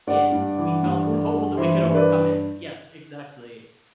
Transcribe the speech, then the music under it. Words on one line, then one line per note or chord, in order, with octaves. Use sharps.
it we felt hopeful that we could overcome it. Yes, exactly.
G2 D5 F#5
G2
E3
G2
A3
G2
E3 C5 E5
G2
B4 D5